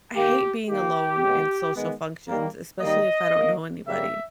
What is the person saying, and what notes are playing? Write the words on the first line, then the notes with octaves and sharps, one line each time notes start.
I hate being alone in social functions, especially if I don't know anybody.
D#3 A#3 G4
D#3 A#3 G4
C#3 G#3 B3
D#3 G#3 B3
D#3 G3 A#3
D#3 G3 A#3 D#5
D#3 A#3
C#3 G3 A#3 E5